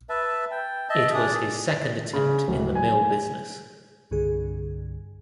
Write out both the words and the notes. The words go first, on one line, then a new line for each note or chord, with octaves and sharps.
It was his second attempt in the mill business.
B4 E5 A5
G5
D#5 E5 A5
D4 G#4 D5 D#6
A6
C#3
D1
G#5
C2 G2 D3 G#4